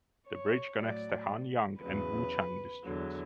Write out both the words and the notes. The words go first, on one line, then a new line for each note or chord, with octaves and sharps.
The bridge connects the Hanyang and Wuchang districts.
C#5
A2 F#3 D5
E2 C#3 F#3 B4
E2 D3 F#3